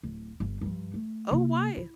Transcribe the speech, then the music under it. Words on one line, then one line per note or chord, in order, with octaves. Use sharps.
Oh, why?
D1
G1
G2 F3
A3
C3 A#3
E4